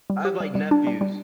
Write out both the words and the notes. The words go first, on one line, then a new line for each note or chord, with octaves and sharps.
I have, like, nephews.
G3
G4
G3
G3
D4
G3
G3